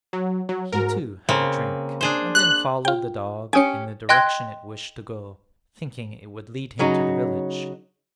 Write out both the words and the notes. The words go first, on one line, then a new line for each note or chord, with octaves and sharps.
He too had a drink, and then followed the dog in the direction it wished to go, thinking it would lead him to the village.
F#3
F#3
G#2 F#4 A#4
C#3 A#3 C4
D4 G#4 C5
F#6
F4 G5
C#4 G4 G#5 D#6 C#7
D#5 G5 C6 F#6 G#6
C#3 F#3 D#4